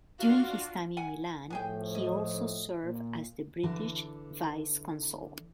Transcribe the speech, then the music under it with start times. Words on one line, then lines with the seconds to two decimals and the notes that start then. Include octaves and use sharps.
During his time in Milan, he also served as the British vice-consul.
0.19 D4 F4 F#4 F5
0.97 F#5 G#5
1.50 A2 F3 B3 G#4 G5
1.95 D#5
2.84 A#2
3.63 D3 E3 A5